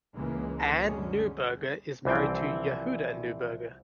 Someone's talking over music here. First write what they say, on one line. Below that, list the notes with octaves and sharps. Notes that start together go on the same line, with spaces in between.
Anne Neuberger is married to Yehuda Neuberger.
C#2 C#3 E3 G#3 A#3
F#2 D3 G3 G#3 C#4
C2 E3 F3 C4 G5